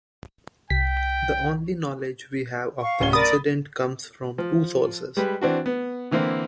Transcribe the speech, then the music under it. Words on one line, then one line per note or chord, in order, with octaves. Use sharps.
The only knowledge we have of the incident comes from two sources.
C2 G5 B6
F5 C#6
D1 C#4 G7
A#4 D5 B5 D#6 A6
F3
G3 G#3 B4
E3 C4 D4 F#4
B3
D3 E3 A#3 C4 E4